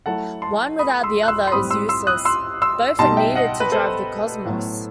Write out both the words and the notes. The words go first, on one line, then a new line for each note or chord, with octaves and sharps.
One without the other is useless, both are needed to drive the cosmos.
F#3 A3 E4 F#5 A5
A5 C6
B5 D#6
C6 E6
F#6
C6 E6
C6
A2 G3 C4 B5 D#6
C6 E6
C6 E6
D#6 F#6
C6 E6
C6 E6
B2 G3 D#4 A5 C6
E5 G5
D#5 F#5
B4
A4 C5
A2 F#3 B3